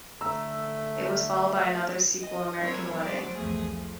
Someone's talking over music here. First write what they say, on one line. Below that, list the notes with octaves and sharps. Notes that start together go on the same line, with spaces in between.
It was followed by another sequel, "American Wedding".
D3 A3 A#5 E6
D#5
F#3 C4 D4 E4 A#4 C#5
F#3 B3 D4 C5 D5
C2 F2 E3 A3 G#4
F3 A3